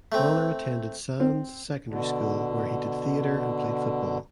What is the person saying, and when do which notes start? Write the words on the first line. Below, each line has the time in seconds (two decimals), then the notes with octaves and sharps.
Connor attended Sands Secondary School where he did theatre and played football.
0.12 A3 C4
1.20 C4
1.88 B2 D3